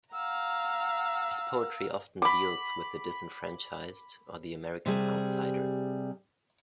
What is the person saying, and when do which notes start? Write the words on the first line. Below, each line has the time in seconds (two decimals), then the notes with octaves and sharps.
His poetry often deals with the disenfranchised, or the American outsider.
0.13 F5 F#5 A#5 E6
2.22 B5 D6
4.86 C3 G3 G#4